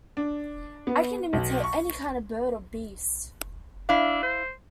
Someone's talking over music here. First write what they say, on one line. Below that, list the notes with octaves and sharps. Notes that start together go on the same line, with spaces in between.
I can imitate any kind of a bird or beast.
D4
B3
B1
C#6
D4 E4 F5
C5